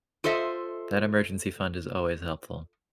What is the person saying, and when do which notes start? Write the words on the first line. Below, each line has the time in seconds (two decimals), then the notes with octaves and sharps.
that emergency fund is always helpful.
0.24 F4 A4 C5 D#5 E5